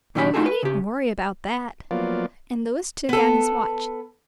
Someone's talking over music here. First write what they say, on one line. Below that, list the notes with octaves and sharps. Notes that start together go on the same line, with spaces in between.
"Oh, you needn't worry about that," and Louis took out his watch.
A#2 D#3 F#3 G4 A#4 B5
A3 D#4 F4 F#4 G#4 A4
B4
C#3 G4
F3 F#3 A#3 B3 F4 D5
B3 A4